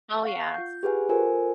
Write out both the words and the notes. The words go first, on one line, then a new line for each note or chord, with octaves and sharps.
Oh, yes.
F5 F#5 C#6 C7
F4 G6
G4 G#4 B4 F#5 G#5
F4 A4 A#4 C5 G#5